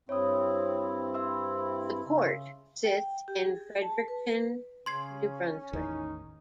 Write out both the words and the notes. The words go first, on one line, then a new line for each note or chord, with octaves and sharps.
The court sits in Fredericton, New Brunswick.
G2 C4 E4 C#5 D#6
E5 C6 E6
C#3
G5
G4
G#4
A5
B4
C#3 C#4 C6 G#6 C7
A1 E2 D#3 D#4